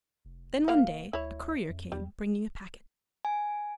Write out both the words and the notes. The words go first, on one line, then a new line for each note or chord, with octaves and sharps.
Then one day a courier came, bringing a packet.
F1
A#3 F5 F#5
D2 E4 C#5
F2
E2 G3
G#5